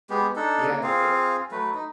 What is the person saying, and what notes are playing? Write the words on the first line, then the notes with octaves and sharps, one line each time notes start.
Yeah, a
G#3 B3 G4
D4 D#4 A4
A#3
C4 F4 G#4 F5
F#3 A3 B4
D#4